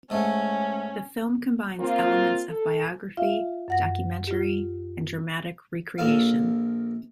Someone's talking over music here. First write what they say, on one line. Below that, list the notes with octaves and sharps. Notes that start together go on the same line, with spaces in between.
The film combines elements of biography, documentary, and dramatic re-creation.
G#2 A3 C#4
A#3 C4 F4
A4
F4 E5 F5
F#2 F#5 A#6
F4 G4
A#1 A#2 A4 F5